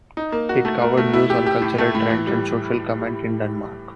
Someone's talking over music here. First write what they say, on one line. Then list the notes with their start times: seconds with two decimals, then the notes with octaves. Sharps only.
It covered news on cultural trends and social comment in Denmark.
0.17 D#4
0.32 A#3
0.49 F#4
0.65 A3
0.82 A#4
0.97 A3
1.14 E4
1.30 G4
1.46 G4
1.62 A2
1.78 A3
1.95 A2
2.10 E3
2.27 G3